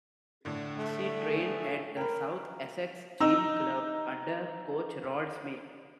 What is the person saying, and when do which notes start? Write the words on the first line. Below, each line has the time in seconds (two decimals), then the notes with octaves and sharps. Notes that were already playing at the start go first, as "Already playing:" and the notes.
She trained at the South Essex Gym Club under coach Rod Smith.
0.45 A2 D3
0.78 A3
1.18 G#4
1.97 A#4 G5 B5
3.20 D#4 E6